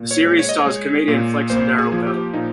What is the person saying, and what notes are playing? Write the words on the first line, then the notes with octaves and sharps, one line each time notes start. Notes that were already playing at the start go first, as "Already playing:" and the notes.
The series stars comedian Flex and Darryl Bell.
Already playing: A#2
C#5
G#3
C#5
D#5
C#5
G#3
A#2
A#3 C5
G#4
F3
G4
A#2 D#4